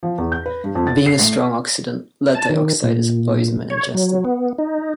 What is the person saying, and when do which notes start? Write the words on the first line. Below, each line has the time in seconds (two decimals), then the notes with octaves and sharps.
Being a strong oxidant, lead dioxide is a poison when ingested.
0.03 F3
0.18 E2
0.32 G6
0.46 B4
0.64 G2
0.75 F2
0.87 A6
1.06 C7
1.20 A2
2.35 A5
2.50 D#3
2.83 A#2
3.70 C#5
3.94 F#3
4.25 B3
4.58 D#4